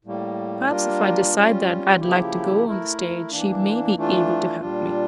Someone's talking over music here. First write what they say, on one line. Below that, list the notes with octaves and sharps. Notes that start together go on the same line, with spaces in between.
Perhaps if I decide that I'd like to go on the stage, she may be able to help me.
A2 G3 A#3
G3 A#3 D4 F4 A#4
G3 C#4 F4
C#3 F3 A#3 E4 G4
A3 E4 A#4
E3 A#3 D4
E3 A3 D4 F4
A#2 G3 D4 F4